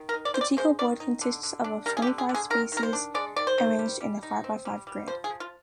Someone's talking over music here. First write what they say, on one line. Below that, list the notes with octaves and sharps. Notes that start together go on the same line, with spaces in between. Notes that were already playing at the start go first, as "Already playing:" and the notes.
The Teeko board consists of twenty-five spaces arranged in a five-by-five grid.
Already playing: D#3
A#4
D#4
D5
C4 C5
D5
G#3 C5
D#3 D5
D#4
D3
D3
D4
G3 A#4
G#4
G4
D3
G#4
D3
G#4
D#3 A#4
D#3
A#4
C5
D4
G#3 D5
D#3 D5
C5
D#3
G3
G3
D#4
C4
G3
G3
F3 C5
G#4
F3
F4